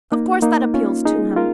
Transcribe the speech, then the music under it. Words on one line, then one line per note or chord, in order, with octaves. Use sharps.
"Of course that appeals to him."
A#3 D#4
A#3 D#4
C#4 F4
D#4 G#4
F4 A#4